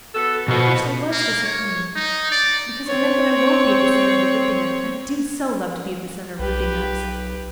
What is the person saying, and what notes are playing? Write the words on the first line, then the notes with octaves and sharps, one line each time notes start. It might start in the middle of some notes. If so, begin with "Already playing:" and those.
Of course I was disappointed, because it meant that I won't be the center of the ripping-up, and I do so love to be the center of ripping-ups!
B3 F#4 A4
B2 F3 F4 F#4
A#3
C#5
D#4
D5
C4 C#5
B1 G4 B4